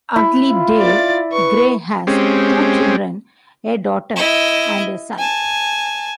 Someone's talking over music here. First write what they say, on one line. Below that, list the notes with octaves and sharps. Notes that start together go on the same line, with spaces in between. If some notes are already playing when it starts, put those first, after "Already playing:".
Ugly Dave Gray has two children, a daughter and a son.
E4
F4
D5 A6
B4 C#6
G#3 C4 C#4 G4
E4 D#5
G#5 A5